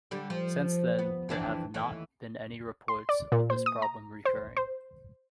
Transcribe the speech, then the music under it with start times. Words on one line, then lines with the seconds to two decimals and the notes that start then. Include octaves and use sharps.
Since then, there have not been any reports of this problem recurring.
0.11 D3 G3
0.30 F3
0.99 B3
1.29 F2 E3 D4
1.74 D#2 E3 A3
2.88 C6
3.09 D5
3.32 A#2
3.50 C5
3.66 D#6
3.82 A#5
4.25 C5
4.57 C5